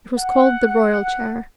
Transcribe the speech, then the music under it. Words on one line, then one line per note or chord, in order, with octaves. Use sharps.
It was called the royal chair.
F#5